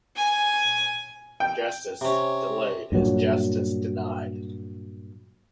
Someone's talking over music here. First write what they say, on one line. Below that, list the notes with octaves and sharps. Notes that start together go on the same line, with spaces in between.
Justice delayed is justice denied.
G#5
G5
C3 C#4
G2 A#2 F#3